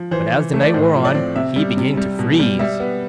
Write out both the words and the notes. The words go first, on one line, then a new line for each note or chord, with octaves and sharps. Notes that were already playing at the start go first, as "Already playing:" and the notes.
But as the night wore on he began to freeze.
Already playing: F3
E3 C5
E3
A3
D5
A2 C5
F3
D5
C4
C3 E5
G3
C3
G3
B2
G3
G3 E5
B3